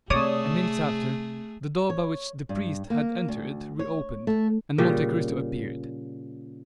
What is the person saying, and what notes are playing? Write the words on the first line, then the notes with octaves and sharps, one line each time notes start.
A minute after the door by which the priest had entered reopened, and Monte Cristo appeared.
C3 A3 G#4 C#5 D5 D#6
C#5
G2
A#3
D2
C#5
A3
A#2 C#3 G3